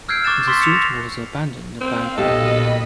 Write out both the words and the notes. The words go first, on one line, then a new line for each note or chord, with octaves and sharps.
The suit was abandoned by Caldwell.
E6 F6 G6 G#6 C7 D7
C#6 D6 F#6 A6 E7
C6 C#6 E6 A6 B6 C7
B6 C#7 E7 F7
A6 A#6
C4 F5
B1 A#2 G4 A4 D#5 B5 B6